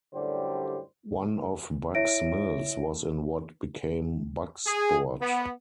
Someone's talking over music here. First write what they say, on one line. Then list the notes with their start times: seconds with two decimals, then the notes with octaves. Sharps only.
One of Buck's mills was in what became Bucksport.
0.14 F#2 A2 D3 G3 G4 C5
1.95 E4 C#5 E5 A#6 D7
4.66 G#4
5.21 B3